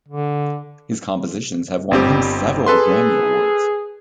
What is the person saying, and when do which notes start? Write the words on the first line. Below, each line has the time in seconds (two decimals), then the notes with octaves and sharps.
His compositions have won him several Grammy Awards.
0.08 D3
1.91 G1 G3 C4 G4
2.66 G#4 A4 B4 C6